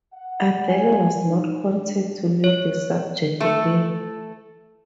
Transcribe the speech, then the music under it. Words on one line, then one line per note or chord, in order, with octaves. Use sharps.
Adele was not content to leave the subject there.
F#5
G#5
D#4
D4
C#5
A3 A4